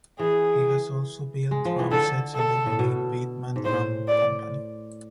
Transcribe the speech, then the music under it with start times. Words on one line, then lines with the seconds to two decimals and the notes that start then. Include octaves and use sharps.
He has also built drum sets under the name Bateman Drum Company.
0.19 E3 G#4
1.51 G#3
1.65 F3
1.79 E3
1.91 D3 A4
2.35 A4
2.66 A2
2.79 B2
3.56 G#2
3.65 A2 C5
4.08 D5